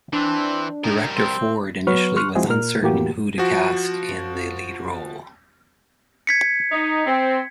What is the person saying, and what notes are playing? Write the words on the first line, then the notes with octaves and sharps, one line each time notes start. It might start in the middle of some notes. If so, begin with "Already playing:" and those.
Director Ford initially was uncertain who to cast in the lead role.
E3 C4 D4
G3 D#4 A#4
C4
F#3 B3 B4 C#6 F6
C6 C#6 F6 F#6
F3 G#3 C4 E4 F#4 G#4
A#2 A#4 F6
A2 E3 A#3 F#4 G4
F3 F#4
G#6 B6 C#7
D#4
C4